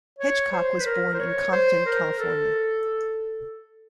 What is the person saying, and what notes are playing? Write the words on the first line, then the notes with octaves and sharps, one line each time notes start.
Hedgecock was born in Compton, California.
C#5
C5
B4
A#4
C5
C#5
C5
A#4
A4